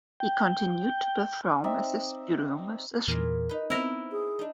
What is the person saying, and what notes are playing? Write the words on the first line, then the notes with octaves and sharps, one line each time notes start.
He continued to perform as a studio musician.
G5
C4 D#4 D5 E5
E2 A#2 E3 F4 G#4 A#4
D#4 B4
B3 C4 E4 A#4
G#4
D4 D#4